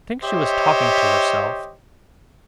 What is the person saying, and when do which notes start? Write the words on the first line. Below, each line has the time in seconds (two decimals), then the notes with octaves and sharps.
I think she was talking to herself.
0.23 G4 C5 C#5 D#5 E5